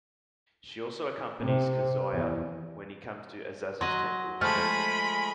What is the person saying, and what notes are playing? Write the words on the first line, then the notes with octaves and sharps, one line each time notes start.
She also accompanies Kazuya when he comes to Azazel's Temple in the desert.
C3
E2
F#3 D#5 C6
F3 G#3 A3 B5 F6